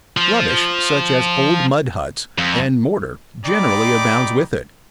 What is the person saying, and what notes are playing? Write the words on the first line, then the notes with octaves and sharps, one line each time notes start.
Rubbish, such as old mud huts, and mortar, generally abounds with it.
F3
F2
G#3 D#4 D5 G5 B5 D6